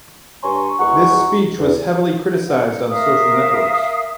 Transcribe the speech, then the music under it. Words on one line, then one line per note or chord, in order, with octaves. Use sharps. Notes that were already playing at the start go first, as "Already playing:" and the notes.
This speech was heavily criticized on social networks.
G2 G#5 A#5 C6 C#6
E2 G#3 F#4 F#5 A#5 C#6
E2
F#5
A#4 E5 F5 D#6